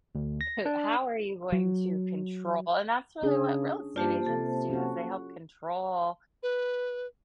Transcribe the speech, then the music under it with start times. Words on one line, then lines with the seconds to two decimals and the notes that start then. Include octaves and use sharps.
"Who how are you going to control" and that's really what real estate agents do is they help control
0.15 D2
0.41 A#6
0.66 D4
1.52 F#3
3.23 C#3 C#4 D4 G#4
3.96 G2 A#3 F4 G4 C5 D5 A5
4.26 C3 A4
4.70 C#4 F#4
6.43 B4